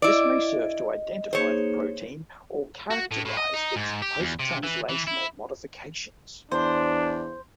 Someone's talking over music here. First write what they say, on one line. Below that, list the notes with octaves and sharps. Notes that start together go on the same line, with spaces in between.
This may serve to identify the protein or characterize its post-translational modifications.
E4 D5 D#5
A#3 D#4 G#4 C5 C#5
F#4
A2
A2
D#5
D#4
G#2
G4
E2
C3
E3
E3
E4
E2 D4 C5